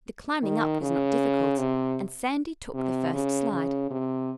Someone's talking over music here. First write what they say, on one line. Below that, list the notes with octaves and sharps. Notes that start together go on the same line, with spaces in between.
The climbing up was not difficult and Sandy took the first slide.
D#3
C#3
C3
C3
C#3
C#3
C3